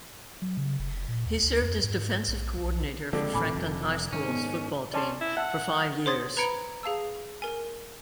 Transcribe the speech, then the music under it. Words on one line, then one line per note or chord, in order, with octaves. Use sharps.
He served as defensive coordinator for Franklin High School's football team for five years.
F#3
C#3
F1
A#2
D#2
D2
F2
G#2
A#1
B1
F2 D3 F3 G#3
D#1 A2 G#5 B5 D6
F1
G#2 D#3 C#4
B3
C#4 D5 A5 C6
E4
E5 F#5 A5
C5 C#5 C6 D#6 G#6 A6
B4 A#5 B5 G#6 C#7 D7
G#4 F5 A5 E6
A#4 G#5